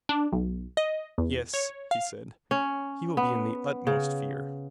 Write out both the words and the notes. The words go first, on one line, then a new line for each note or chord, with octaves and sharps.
Yes, he said, he will be in the utmost fear.
D4
B1
D#5
E2
C#5
F5
C#4
B3
C#3